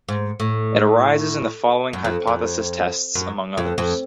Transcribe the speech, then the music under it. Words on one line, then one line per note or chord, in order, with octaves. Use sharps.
It arises in the following hypothesis tests, among others.
G#2
A2
F#2
F2
F2
F#2
F2
F2